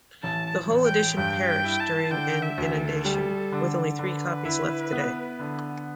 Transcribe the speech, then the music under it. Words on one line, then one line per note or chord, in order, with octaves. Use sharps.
The whole edition perished during an inundation, with only three copies left today.
A1 A5
A1
G5
G2 G5
G5
E4
A5
D3 G5
E5
D2
A4
G3
D3
D3 B4
E4
B3
D3